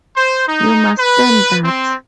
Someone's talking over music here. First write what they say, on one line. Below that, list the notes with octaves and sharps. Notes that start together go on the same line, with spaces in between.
You must stand that!
C5
D#4
B4
C4